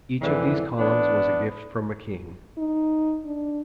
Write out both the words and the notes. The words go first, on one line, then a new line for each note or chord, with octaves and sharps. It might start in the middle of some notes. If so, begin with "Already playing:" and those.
Each of these columns was a gift from a king.
F2 G#2 D3 E3
E3 B3 D4
D#4
D4